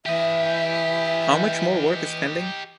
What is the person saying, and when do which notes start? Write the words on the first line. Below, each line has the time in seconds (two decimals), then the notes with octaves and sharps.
How much more work is pending?
0.06 E3 G4 D#5 E5